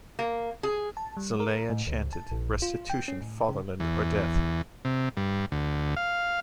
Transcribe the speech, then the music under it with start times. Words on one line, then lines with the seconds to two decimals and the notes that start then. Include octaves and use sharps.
Zelaya chanted Restitution, Fatherland or Death!
0.19 A#3
0.63 G#4
0.97 A5
1.17 G3
1.40 A#4
1.70 A2
1.87 C#2
2.13 A5
2.31 A#1
2.62 F4
2.90 G5
3.08 C#4
3.21 A2
3.49 C#3
3.80 E2
4.85 C3
5.17 G2
5.52 D2
5.97 F5